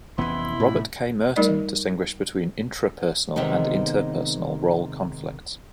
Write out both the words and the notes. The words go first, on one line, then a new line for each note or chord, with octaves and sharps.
Robert K. Merton distinguished between intrapersonal and interpersonal role conflicts.
F1 C3 E3 B3 C#4 E4 C6
A2
G3 A3 D#4 A#4 D5 D#5
C3 D#3 G#3 B3 D#4